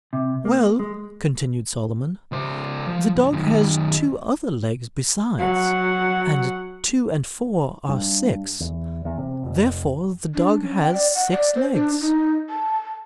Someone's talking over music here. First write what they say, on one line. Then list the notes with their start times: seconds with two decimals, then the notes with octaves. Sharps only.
"Well," continued Solomon, "the dog has two other legs, besides, and two and four are six; therefore the dog has six legs."
0.13 C3
0.45 A#3
0.79 G#3
2.32 C#2 C5
2.87 F3
3.16 C2 G2
3.32 F#2 D#3
5.39 F#3 F#5
7.89 G2
8.60 E2
9.05 E2
9.18 C3
9.43 F1
10.35 D4
10.62 C#4
10.81 G5
10.94 D5
11.15 F#5
11.32 D5
11.55 C5
11.74 D4
12.01 D#4
12.50 A5